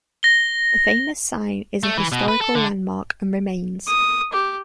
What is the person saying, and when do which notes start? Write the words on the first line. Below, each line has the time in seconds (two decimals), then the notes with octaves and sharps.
The famous sign is a historical landmark and remains.
0.23 A#6 G7
1.83 A3
1.98 E3
2.12 B2
2.28 B4
2.41 A4
2.55 D3
3.88 D#6
4.33 G4